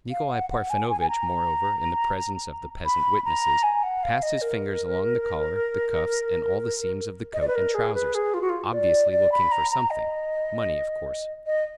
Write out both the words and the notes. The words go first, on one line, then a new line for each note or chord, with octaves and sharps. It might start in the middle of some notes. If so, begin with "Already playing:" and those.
Nikolay Parfenovitch, moreover, in the presence of the peasant witnesses, passed his fingers along the collar, the cuffs, and all the seams of the coat and trousers, obviously looking for something--money, of course.
F5
F#5
F#5
G#5
G#5
G#5
A#5
B5
A#5
G#5
F#5
F5
D#5
A#4
D#5
D5
B4
A#4
G#4
B4
G#4
F4
F#4
F4
D5
D5
B5
A#5
A#5
D#5
D#5